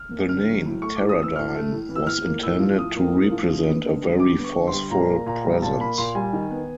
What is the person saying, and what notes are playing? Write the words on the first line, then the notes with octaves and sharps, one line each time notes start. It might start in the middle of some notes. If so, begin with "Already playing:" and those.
The name, Teradyne, was intended to represent a very forceful presence.
Already playing: F6
A#3
D3 F6
F#3
A2
A3 C#6
A2 D6
D#6
E3 E6
A2 F6
A3
A2
E3
E6
A2 F6
A#3
A2 E6
F3
A2 D#6
A#3
A2
F3
D3
B3
D3
G3
D3 D6
B3
C#6
D3
C6
G3
A#2 A#5
A#3
A#2 A#5
G3
A#2 A5
A#3 B5
A#2 C6
G3 G#5
D#3
B3